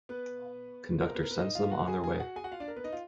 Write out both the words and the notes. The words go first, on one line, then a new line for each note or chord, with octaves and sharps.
Conductor sends them on their way.
B3 B4
A#4
B3 B4
A#4
B3 B4
D#4 D#5
F4 F5
F#4 F#5
G#4 G#5
G#4 G#5
F#4 F#5
G#4 G#5
F#4 F#5
F4 F5
D4 D5
A#4
B3 B4
D#4 D#5
F4